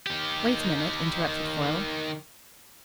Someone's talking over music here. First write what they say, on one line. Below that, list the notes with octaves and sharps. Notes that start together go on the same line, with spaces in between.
"Wait a minute," interrupted Foyle.
D#3 G4